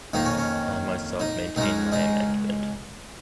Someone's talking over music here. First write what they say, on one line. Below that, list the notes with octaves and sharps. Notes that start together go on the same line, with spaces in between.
I myself maintain my amendment.
F2 D#3 A#3 D#4
C#4
C#4
D#4
C#2 C#3 G#3 D#4
D#4